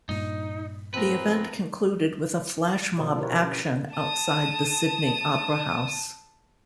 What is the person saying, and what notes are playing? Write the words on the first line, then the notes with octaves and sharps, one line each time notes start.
The event concluded with a flashmob action outside the Sydney Opera House.
G2 A#2 D#4
F3 C4 A#4 B4
B2 D3 F3 F4 C5 D5
E4 G4 A#4 B4 C#5
C#4
A5 D#6